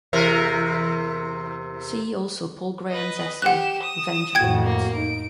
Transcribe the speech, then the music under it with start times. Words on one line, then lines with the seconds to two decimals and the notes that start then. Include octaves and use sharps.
See also Paul Graham's essay "Revenge of the Nerds".
0.13 E2 C3 A#4
2.90 B4 D#5
3.42 G4 F#5 F#6 E7
3.80 D#6 E7
4.35 F2 A2 F#4 G5 G#6
4.64 A#3
4.95 D#4 D7